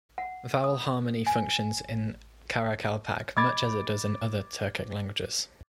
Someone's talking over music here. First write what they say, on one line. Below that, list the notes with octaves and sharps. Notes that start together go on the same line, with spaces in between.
Vowel harmony functions in Karakalpak much as it does in other Turkic languages.
F#5
D#6
G#5
D#5 B5 D6 G#6 A6